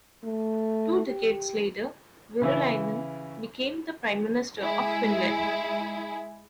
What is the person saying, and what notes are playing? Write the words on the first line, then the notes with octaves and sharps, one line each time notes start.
Two decades later, Virolainen became the Prime Minister of Finland.
A3
G4
C#3 E3 E4
G#3 E4 G#4